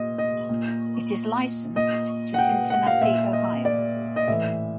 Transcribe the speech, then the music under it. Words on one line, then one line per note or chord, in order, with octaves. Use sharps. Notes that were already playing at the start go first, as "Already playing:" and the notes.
It is licensed to Cincinnati, Ohio.
Already playing: A#2 D#5
D#5
A#2
A#2 D#5
F#5
G5
F#5
F5
A#2 E5
D#5
D5
D#5
A2 E3 E5